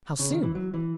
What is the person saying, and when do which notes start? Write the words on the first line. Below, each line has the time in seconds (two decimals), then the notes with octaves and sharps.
"How soon?"
0.19 C#3
0.31 D#3
0.43 E3
0.55 F#3
0.74 E3